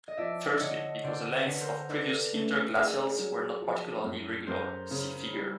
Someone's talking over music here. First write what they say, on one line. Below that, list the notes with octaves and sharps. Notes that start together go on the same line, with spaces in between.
Firstly, because the lengths of previous interglacials were not particularly regular; see figure.
D#5
F3 D5 E5
D3 C#5 D#5
D3 C5 D5
B4 C#5
D3
A#4 C5
D4 A4 B4
A3
D4 G#4 A#4
F#3
F3
F#2
F#2 A#4 C5
C#3
G3